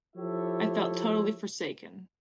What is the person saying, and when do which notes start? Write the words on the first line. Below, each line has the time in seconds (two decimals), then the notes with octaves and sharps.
I felt totally forsaken.
0.16 F3 E4 G4 A4 C#5 E5